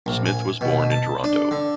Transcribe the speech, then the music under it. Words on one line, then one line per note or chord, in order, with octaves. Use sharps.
Smith was born in Toronto.
A#1
G#5
B2
A5
D4
D3